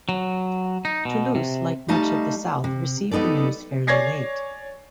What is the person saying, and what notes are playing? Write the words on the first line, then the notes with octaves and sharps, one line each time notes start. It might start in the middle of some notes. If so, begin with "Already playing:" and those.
Toulouse like much of the south received the news fairly late.
F#3
D#4
B2
C3
G3 A3 D#4 D#5 F5 A5
C3
G3 B3 D#4 A4 D5
C#5 D5 G#5 G#6 A#6 C7